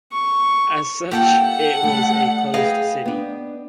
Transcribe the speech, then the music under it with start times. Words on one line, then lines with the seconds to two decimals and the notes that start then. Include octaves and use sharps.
As such it was a closed city.
0.12 C#6
1.11 A#3 F4 G4 A4 F#5 G5
1.82 G3 A3
2.54 G#4 B4 D#5 F5 G5
3.05 B3 D4